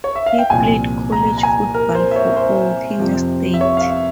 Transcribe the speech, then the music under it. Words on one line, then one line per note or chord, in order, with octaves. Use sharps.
He played college football for Ohio State.
C#5
E5
F5
G5
C2 A#2 F3 G#5
A#5
A#5
G#5
A#4
C5
E5
C#5
C5
F2 C3 F3
E5
C#5
F5
E5